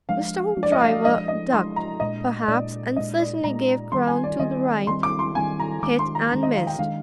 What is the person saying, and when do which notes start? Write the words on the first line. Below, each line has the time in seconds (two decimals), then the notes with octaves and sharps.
Mr. Hoopdriver ducked perhaps and certainly gave ground to the right, hit, and missed.
0.09 F3 G#3 D4 F5
0.57 F3 G#3 D4
0.63 D5
0.72 D#5
0.81 F5
1.05 F3 G#3 D4 D#5
1.28 D#5
1.52 F3 G#3 D4 C6
1.76 A#5
2.00 A#2 G#3 D4 D#5
2.48 A#2 G#3 D4 D5
2.96 A#2 G#3 D4 D#5
3.20 D5
3.44 A#2 G#3 D4 A#5
3.92 D#3 G3 C4 C6
4.07 G#5
4.24 D5
4.39 D#3 G3 C4 D#5
4.87 D#3 G3 C4 C6
5.03 D6
5.19 C6
5.35 D#3 G3 C4 G#5
5.60 A#5
5.82 D#3 G#3 D4 D6
5.99 C6
6.15 A#5
6.31 D#3 G#3 D4
6.43 D#5
6.55 F5
6.67 G5
6.78 D#3 G#3 D4 F5